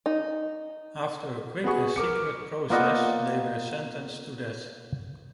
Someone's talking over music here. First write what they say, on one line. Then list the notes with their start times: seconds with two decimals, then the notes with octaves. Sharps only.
After a quick and secret process, they were sentenced to death.
0.06 D#4
1.64 B3 F#4 G#4 C#6
1.96 A#4 D6 C#7
2.70 A#3 B3 F4 D5 D#5 F#5